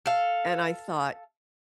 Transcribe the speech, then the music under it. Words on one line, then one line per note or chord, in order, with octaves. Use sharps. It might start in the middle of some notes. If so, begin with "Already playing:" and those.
And I thought,
A4 F5